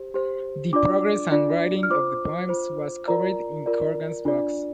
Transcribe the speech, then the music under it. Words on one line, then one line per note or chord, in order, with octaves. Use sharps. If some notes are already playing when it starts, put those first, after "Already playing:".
The progress and writing of the poems was covered in Corgan's blogs.
Already playing: G4 C5
G4 C5
D4 F4 D5 D6
D4 F4 D5
F6
F4 C5 D6
F4 C5
F4 A#4 D5 A#5
F4 A#4 D5
D4 F4 D5